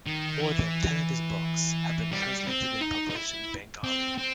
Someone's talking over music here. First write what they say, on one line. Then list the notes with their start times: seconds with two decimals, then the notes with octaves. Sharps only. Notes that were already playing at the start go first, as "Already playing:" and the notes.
More than ten of his books have been translated and published in Bengali.
0.06 D#3
0.40 E3
2.12 G3
2.47 C4
2.81 D#4
3.10 D#4
3.15 E4
3.84 C4
4.18 C4